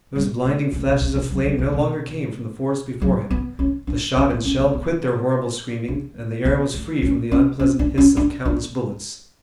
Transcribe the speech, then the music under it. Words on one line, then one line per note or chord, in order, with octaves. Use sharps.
Those blinding flashes of flame no longer came from the forest before him, the shot and shell quit their horrible screaming, and the air was free from the unpleasant hiss of countless bullets.
G3
A3
C#3
B2
C#3
D3
F#3
G3
A3
B2
F#3
B3
C#4
D4
C#4
B3
C#4
B3
B3
D4
B3
A3
C#4
C#4
C#4
D4
C#4
D4
D4